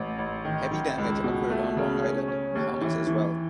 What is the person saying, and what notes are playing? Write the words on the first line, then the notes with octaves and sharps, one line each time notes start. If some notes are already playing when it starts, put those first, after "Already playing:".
Heavy damage occurred on Long Island, Bahamas as well.
Already playing: A1
A1
D#3
D#3
C#2
B2
A3
C#3
C#4
C#4
D#2
E3
E3